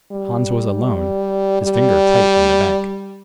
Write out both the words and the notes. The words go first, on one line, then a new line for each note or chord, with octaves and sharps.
Hans was alone, his finger tight in the bank.
G3
G3